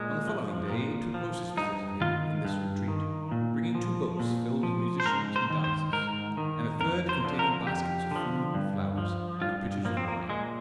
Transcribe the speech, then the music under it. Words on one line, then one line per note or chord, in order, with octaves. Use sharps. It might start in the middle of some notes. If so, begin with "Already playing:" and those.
On the following day Tutmosis visited him in this retreat, bringing two boats filled with musicians and dancers, and a third containing baskets of food and flowers, with pitchers of wine.
Already playing: A#2 G#3
F3
A#2
F3
G2 D#4
D#3 F4
G2
D#3
A#2
F3
A#2
F3
C5
G#2 A#4
C5
D#3
C5
G#2 A#4
D#3
F2 A#4
C5
D3 F3
A#4
F2 G4
D3 F3
G2
F3
G2 F4
F3 A#3
C4
A#3
A#2 G#3